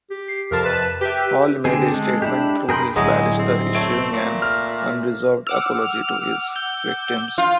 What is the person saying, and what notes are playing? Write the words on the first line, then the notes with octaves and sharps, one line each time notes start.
Hall made a statement through his barrister, issuing an "unreserved apology" to his victims.
G4
C7
F2 C3 A#4 A5
B4
G4 B4 E5
D3 C4 G4 G#4
G#3 A4
D4 E4 G4
G#4 A#4 G5 B5 C6
D1 F#3 G#3 E4
C4
A3 C#5 D7
A#2
F6
F#5 D6 E6 F6
G6
F4